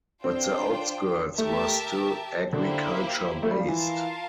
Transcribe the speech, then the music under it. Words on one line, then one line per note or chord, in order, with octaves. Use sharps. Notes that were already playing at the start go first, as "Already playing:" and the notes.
But the outskirts were still agriculture based.
C4 D4 F4 C5 G5
A3 G4 A#4 E5 A5
D3 A#3 E4 G4 C5
A3
G3
F3
E3 F4 A#4 F5 A5